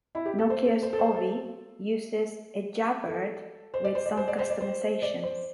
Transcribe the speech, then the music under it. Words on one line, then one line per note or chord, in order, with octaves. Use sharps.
Nokia's Ovi uses ejabberd with some customizations.
E4
G4
A4
C5
A4
C5
A4
C5
A4
A4
C5
D5
C5
D5
C5
D5
C5
D5
C5
D5
C5